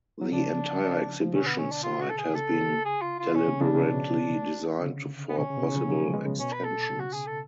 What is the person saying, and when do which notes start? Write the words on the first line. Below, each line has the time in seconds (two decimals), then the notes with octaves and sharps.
The entire exhibition site has been deliberately designed for possible extensions.
0.21 F#3
0.31 C#3 F3 D4
1.22 F3
1.33 B2 D3 C#4
1.46 B3
1.58 C#4
1.72 D4
1.84 F4
2.01 F#4
2.10 A4
2.18 G#4
2.35 C#3 A4
2.85 G#4
3.02 F4
3.19 F4
3.35 B2 C#4
3.48 C#3
3.61 C#3 F3 D4
3.74 C#3
3.87 B2
4.80 D3
4.87 C#3
5.29 B3
5.37 B2 D3 C#4
5.50 C#3
5.58 B2
5.63 C#3
5.76 C#3 F3
5.88 D3 F#3
6.01 F3 G#3
6.14 G#3 B3
6.26 C#3
6.39 B2 C#4
6.53 B4
6.64 A4
6.90 C#3
7.00 F#4
7.13 G#4
7.27 A4